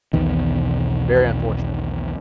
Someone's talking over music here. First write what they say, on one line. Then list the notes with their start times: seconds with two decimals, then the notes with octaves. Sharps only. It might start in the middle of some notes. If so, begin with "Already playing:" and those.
Very unfortunate.
0.13 B1 E2 B2 D#3